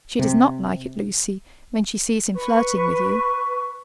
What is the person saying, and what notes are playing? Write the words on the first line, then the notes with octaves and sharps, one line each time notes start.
"She does not like it, Lucy, when she sees him flirting with you."
C3
B4 C#6